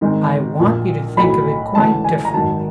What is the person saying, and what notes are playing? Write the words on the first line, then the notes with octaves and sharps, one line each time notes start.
I want you to think of it quite differently.
G#2 D#3 G#3 C4 D#4
A#1 A#2 F3
B1 A2 F#3 B5
D2 C#3 E3 G#3 A5
G#5
A#5
G#1 G#2 D#3 F#3 A5